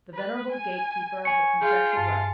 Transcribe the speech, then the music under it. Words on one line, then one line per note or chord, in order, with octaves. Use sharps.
The venerable gate-keeper had conjectured right.
B4
G#5
C#5 G#5 C#7
F4 G#4 G5
G2 A5